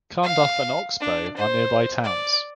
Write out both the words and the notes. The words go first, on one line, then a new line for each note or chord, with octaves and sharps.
Carnduff and Oxbow are nearby towns.
F5
D4
C5
D5